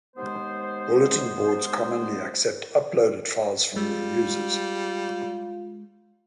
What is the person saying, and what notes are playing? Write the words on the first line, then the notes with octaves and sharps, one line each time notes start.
Bulletin boards commonly accept uploaded files from their users.
D#2 G#3 B3 C5
G3 G#3 F4